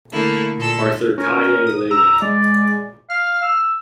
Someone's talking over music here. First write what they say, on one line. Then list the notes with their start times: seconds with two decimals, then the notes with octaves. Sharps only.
Arthur Kaye Legge.
0.13 D3 A3 A#3 E4
0.58 A#2 A4 E6
1.18 C#4 A#4
1.67 D#6
1.91 A#5 E6
2.22 G#3 D5
3.10 F5 F6
3.42 E6